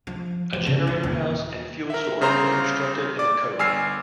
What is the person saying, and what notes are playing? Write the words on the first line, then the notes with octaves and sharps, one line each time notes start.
A generator house and fuel store were constructed in the Cove.
F3
E2
C#3
D#4
D#1
A#4 E5
G1 C#3 C5 A#5 C6
D5 D6
G1 G#5 E6 F6 C7